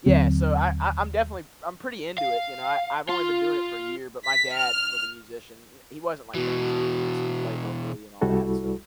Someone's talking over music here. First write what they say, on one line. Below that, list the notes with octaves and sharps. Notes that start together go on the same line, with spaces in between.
Yeah, so I I I'm definitely I'm pretty into it, you know, I I've only been doing it for a year, but my dad was a musician. He wasn't like famous or anything, just he played locally and all that, so,
D#2 D3 F#3 C4
F5
F4
B6
F6
B2 E3 F#4
C2 G3 E4 F#4 A4